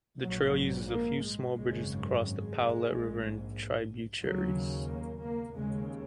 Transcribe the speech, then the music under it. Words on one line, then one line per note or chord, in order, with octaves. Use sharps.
The trail uses a few small bridges to cross the Powlett River and tributaries.
A#1 G#2 F#3
A#3
G#3
G#1 F#2 C#3 G#3
G#3
A#1 G#2
D#2 C#3 F#3
A#3
A#3
D#2 C#3 G#3